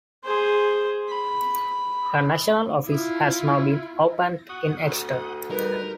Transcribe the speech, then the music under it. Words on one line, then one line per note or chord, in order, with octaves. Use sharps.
A national office has now been opened in Exeter.
G#4 C5
B5
E4 F4
F#4 F#5 D#6
D2
G3 D#4 A#4 B4